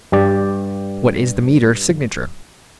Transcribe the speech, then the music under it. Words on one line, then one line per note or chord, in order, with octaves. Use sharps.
"What is the meter-signature?"
G2 G4 D5